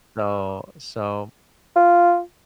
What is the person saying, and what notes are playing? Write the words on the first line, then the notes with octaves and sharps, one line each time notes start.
So so
F4